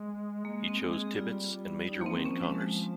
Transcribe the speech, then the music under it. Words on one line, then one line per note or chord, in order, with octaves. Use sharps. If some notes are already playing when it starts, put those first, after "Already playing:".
He chose Tibbets and Major Wayne Connors.
Already playing: G#3
G#3 A#3
C4
G#3
G#4
G3 F4
G3
G3 D#4
F3 A#3
C4
D#3
F3 C#4
G#3
G#3